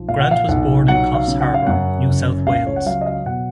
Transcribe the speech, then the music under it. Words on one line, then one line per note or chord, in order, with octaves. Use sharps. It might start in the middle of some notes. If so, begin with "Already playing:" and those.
Grant was born in Coffs Harbour, New South Wales.
Already playing: B1 F3
A#2 F5
F#5
F5
B1 F#5
F#3 F#5
F5
C#3
F#5
F5
F#2 F#5
F#1
C#2 F5
C#5
F#5
F#3 F5
D#5
F5
B2 F#5